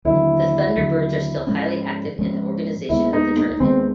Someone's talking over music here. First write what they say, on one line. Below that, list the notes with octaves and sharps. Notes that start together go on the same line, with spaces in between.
The Thunderbirds are still highly active in the organization of the tournament.
D#2 D3 F#3 E4
D#2 D3 F#3
G#2 F3 G#3 C#4
G#2 F3 G#3 C#4
D#2 D#3 G#3 B3 E4
D#4
D#4
D#2 D#3 G#3 B3 C4